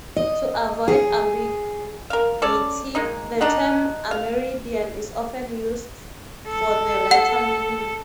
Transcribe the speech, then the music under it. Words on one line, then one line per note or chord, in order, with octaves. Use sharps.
To avoid ambiguity, the term Amerindian is often used for the latter meaning.
D#5
G#4
A#4 F5
C#4 A4 D5
G#3 A#3 D#4
D4 D#4 F#5
F5
A4
F#5